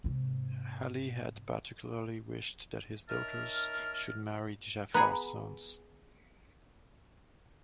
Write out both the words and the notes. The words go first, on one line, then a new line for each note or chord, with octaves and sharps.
Ali had particularly wished that his daughters should marry Ja'far's sons.
G#2 C3
D#4 A#4 C#5 E5 A5 F6
B3 G#4 A#5 B5